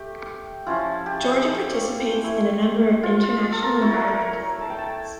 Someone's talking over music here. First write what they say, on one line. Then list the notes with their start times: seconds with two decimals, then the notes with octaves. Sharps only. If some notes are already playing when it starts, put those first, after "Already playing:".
Georgia participates in a number of international environmental agreements.
Already playing: A3 G4
0.67 F3 C#4 E4 F4
1.06 G4
1.34 G4
1.45 A4
1.71 C#5
2.24 A3 E4
3.03 F4
3.23 F4
3.52 A4
3.62 A#4
3.81 A3 E4 C#5
3.90 A#4
4.00 A4
4.08 A#4
4.22 A#4
4.61 A5
4.70 G5
4.78 A5